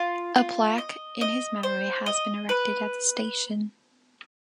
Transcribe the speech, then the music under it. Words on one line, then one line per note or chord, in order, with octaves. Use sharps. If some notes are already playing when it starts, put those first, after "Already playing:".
A plaque in his memory has been erected at the station.
Already playing: F4
F4
D#5
D#5
C5
D#5
B4